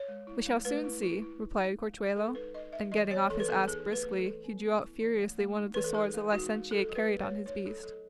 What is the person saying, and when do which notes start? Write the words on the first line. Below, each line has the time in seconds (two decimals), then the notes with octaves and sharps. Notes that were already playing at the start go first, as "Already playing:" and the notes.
"We shall soon see," replied Corchuelo, and getting off his ass briskly, he drew out furiously one of the swords the licentiate carried on his beast.
Already playing: C#5
0.08 G#3
0.27 E4
0.46 G#3
0.65 A3 B4
0.84 E4
1.03 E4
1.22 E4
1.41 D#4
1.59 D#4
1.79 G#3
1.98 G#3
2.16 G#3 A4
2.35 D#4 B4
2.54 D#4 D#5
2.73 D#4 E5
2.92 E3 D#5
3.11 B3 C#5
3.30 E3 A4
3.40 B4
3.48 B3 A4
3.68 D#4 G#4
3.87 A3
3.93 B4
4.06 A3
4.18 A4
4.25 E3
4.44 B3
4.62 B3
4.82 E4
5.00 E3
5.19 A3
5.38 A3
5.57 D#4
5.74 E3 B4
5.84 A4
5.95 D#4 G#4
6.14 G#3
6.33 D#4 F#4
6.52 G#3
6.70 F#3 A4
6.89 F#3
6.95 B4
7.08 A3
7.21 C#5
7.27 A3
7.46 D#4 C#5
7.65 F#3 A4
7.83 F#3 A4